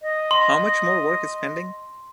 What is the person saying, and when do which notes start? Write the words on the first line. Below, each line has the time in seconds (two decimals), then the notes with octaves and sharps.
How much more work is pending?
0.02 D#5
0.31 C6